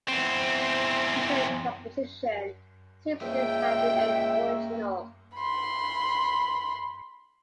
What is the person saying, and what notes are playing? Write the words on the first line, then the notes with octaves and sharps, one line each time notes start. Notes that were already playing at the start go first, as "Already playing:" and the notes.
Just the composition seems to have remained original.
E2 C4
C#2 A#3 C5 E5 G5
B5 C6